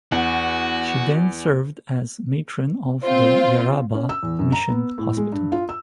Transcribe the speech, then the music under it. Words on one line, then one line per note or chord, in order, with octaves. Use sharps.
She then served as matron of the Yarrabah mission hospital.
E2 F#4
C4 F4 C5
C#4
E6
E2
F#2
A#5
B3
A2
G#3
G2
F4
E6